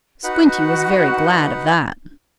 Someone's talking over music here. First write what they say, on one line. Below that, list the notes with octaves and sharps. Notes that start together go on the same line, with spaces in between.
Squinty was very glad of that.
D#4 F#4 B4 F#5